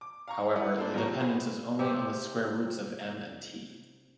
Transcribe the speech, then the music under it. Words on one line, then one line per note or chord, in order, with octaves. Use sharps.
However, the dependence is only on the square roots of "m" and "T".
D6
F5 A#5 C#6
E4 B4 D5 F#5
A#3 D4 F4 A4 C5 D5
B1 C3 F3 A#5 C#6
F#4 G#4 B4 C5 F5
C3 G4